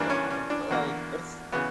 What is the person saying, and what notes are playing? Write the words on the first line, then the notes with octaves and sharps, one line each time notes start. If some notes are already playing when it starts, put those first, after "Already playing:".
Yeah, but, like, it's
Already playing: G2 E3 G3 A#3 D4
C#4
C#4
D4
E2 D3 A#3 F#4
C#3 E3 B3 F#4